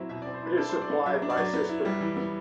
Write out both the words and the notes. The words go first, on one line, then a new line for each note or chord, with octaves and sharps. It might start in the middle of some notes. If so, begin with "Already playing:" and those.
It is supplied by cisterns.
Already playing: F#3 C4 E4
B2 E5
C4 D5
C5
E4 B4
D4 A4
F#3 C5
D5
B3
F#3 E5
D4
D5
F#3
B3
E4
G3
E3
B3